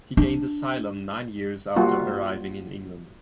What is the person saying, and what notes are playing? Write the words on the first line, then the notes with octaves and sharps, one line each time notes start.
He gained asylum nine years after arriving in England.
D4
G3 A#3 F4 F#4